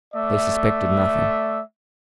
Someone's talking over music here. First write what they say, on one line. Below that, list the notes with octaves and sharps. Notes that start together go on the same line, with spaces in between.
They suspected nothing.
A3 D5 E5